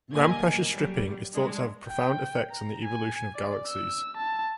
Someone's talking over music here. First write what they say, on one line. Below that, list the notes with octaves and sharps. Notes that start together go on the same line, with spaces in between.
Ram pressure stripping is thought to have profound effects on the evolution of galaxies.
G1 A#2 A#3 D#5 G#5 G#6
F#3 G3
G3 G#3 D4
G5
A#5
G#5
D5
E6
A5